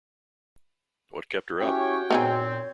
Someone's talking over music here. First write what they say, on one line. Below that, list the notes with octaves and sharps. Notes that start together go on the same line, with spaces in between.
What kept her up?
C#4 E4 F#4 G4 C#5 G5
F#2 A#2 B3 C4 D#4 G#4 C#5